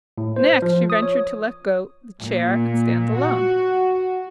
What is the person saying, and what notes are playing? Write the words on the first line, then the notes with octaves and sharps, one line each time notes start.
Next she ventured to let go the chair, and stand alone.
A2
C5
F3
D#6
C#5
A#2
F#4